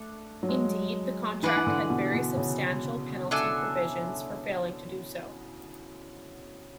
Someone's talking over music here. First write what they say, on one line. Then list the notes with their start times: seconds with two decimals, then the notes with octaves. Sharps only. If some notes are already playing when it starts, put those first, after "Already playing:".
Indeed the contract had very substantial penalty provisions for failing to do so.
Already playing: A3 D4 A4
0.43 F#3
0.49 G#3
1.43 E3 G#4 B4 D5 F#5
1.56 E3
1.67 D3
1.90 B2
2.14 B2
2.37 C#3
3.31 D4 A4 E5 G#5